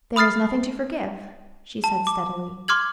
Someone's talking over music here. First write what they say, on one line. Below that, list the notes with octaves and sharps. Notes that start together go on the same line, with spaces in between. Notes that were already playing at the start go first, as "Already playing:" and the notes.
"There is nothing to forgive," she said steadily.
B5 D#6 F6 A6 C7
A5
D6
C6 D6 F6 G#6 F#7